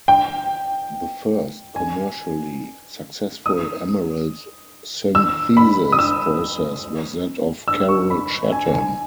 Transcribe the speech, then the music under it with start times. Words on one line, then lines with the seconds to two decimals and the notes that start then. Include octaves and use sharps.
The first commercially successful emerald synthesis process was that of Carroll Chatham.
0.08 G5
1.76 G#5
3.46 D#6
5.15 E6
5.57 B5
5.92 D#6
5.99 E6
7.68 E6
7.88 C#6
8.10 B5
8.52 G#5
8.74 G#5